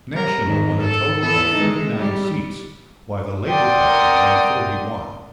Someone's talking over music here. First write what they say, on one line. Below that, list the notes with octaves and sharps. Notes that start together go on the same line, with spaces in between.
National won a total of thirty-nine seats, while the Labour Party won forty-one.
G3 A#4
G#2 D#3
A4
E3 B3 A4
G#3 D#4
G3
A#4 D5 F#5 G5 C6 D#6